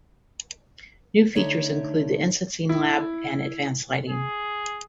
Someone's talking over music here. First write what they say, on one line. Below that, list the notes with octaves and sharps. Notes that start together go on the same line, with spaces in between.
New features include the Instancing Lab and advanced lighting.
D3 A3 D#4 C#5 E5
E4
G#4